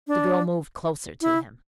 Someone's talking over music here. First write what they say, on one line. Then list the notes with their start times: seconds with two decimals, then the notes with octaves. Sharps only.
The girl moved closer to him.
0.07 D4
1.21 E4